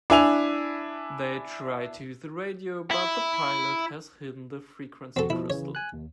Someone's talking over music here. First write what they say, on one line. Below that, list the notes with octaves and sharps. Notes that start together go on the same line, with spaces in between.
They try to use the radio, but the pilot has hidden the frequency crystal.
D4 E4 G#5 F7
E4
E2 C4 F#4 A4
B2 F3 E4
C#3 E3 C#5
G#5 F#6
D#2